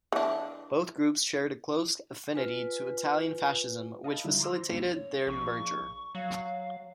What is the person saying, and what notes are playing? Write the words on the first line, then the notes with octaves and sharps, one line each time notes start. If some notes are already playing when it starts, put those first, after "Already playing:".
Both groups shared a close affinity to Italian fascism which facilitated their merger.
E3 D4
F4 B4 G#5
D#5 F5 A5 B5
D3 D#3 F#3 G3 E4
A#5 C6 D6 E6
C5 A#6
D2 G2 C3 G3 A#3 C#4
C#5
A#1 C#6
F#3 F5